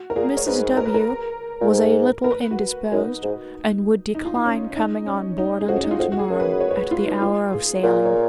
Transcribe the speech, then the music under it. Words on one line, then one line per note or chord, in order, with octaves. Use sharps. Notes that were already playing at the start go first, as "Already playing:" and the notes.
"Mrs. W. was a little indisposed, and would decline coming on board until to-morrow, at the hour of sailing."
Already playing: F#4
A#4
A#2 G#4
C#5
G#2 B4
A#4
B4
A#4
A#2
G#2
A#4
B4
F#4
F#2 D#4
G#2
D#4
F4
D#4
C#4
D#4
C#4
D#4
G#4
F2 F#4
C#4
D#4
F4
F2 F#4
F#4
G#4
F#2
B4
C#5
C#5
B4
F4
D#4
F4
G#4
A#2 A#4
C#5